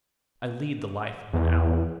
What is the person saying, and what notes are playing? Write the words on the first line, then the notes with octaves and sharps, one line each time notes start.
'I lead the life of an owl.'
E2